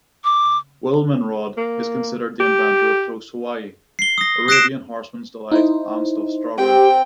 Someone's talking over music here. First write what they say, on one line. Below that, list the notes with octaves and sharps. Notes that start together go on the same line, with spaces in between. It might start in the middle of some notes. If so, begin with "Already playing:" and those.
Wilmenrod is considered the inventor of Toast Hawaii, "Arabian Horseman's Delight" and "stuffed strawberry".
D6
A#3
G4
C7 G7
D#6 A#6
D#6 F#6 A#6 C7 D7 E7
D#4 E4 C5
C4 G4 G5